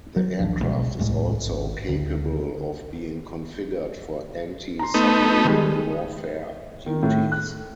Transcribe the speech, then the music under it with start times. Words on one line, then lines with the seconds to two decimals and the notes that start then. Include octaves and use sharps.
The aircraft is also capable of being configured for anti-submarine warfare duties.
0.16 F#3
0.39 D1 G#1 F3 D4
0.62 C2 B2 G#3
0.99 D#1 C2 A2 G#3
1.46 G#1
1.89 D2
4.79 A#5 C6
4.94 A3 B3 D#4
5.45 D#3 G3 G#3
6.86 D#3
7.03 A2
7.32 F#6